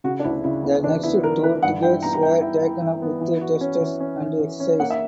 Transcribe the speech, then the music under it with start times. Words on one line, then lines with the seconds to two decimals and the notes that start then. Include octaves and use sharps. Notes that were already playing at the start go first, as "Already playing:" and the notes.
The next two decades were taken up with tests and exercises.
0.04 C#3 F#4
0.20 D4
0.24 D2 E4
0.44 C#3 E4
0.64 B3 E4
0.83 E3 D4
1.03 B3 E4
1.24 E3 A#4
1.43 E3 B4
1.62 G2 F#5
1.82 E4 G5
2.03 B3 A#5
2.13 A#5
2.23 E4 G5
2.41 E4
2.62 E4
2.82 E3
3.02 B3
3.21 E3
3.41 F#4
3.61 C#4
3.81 E3
4.00 C#4
4.21 E3
4.39 E3
4.60 C#4
4.80 A#3 F#5
4.90 E5